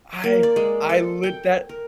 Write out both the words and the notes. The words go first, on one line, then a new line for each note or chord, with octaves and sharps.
I I lit that
A#3
D5
G#3
A4
G5
A#4